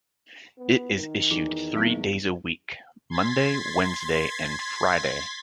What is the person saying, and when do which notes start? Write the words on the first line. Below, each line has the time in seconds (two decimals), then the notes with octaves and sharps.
It is issued three days a week, monday, wednesday and friday.
0.58 B3
0.95 D#3
1.31 E2 D#4
1.75 F#3 B3 E4
3.10 C6 G#6 A6 B6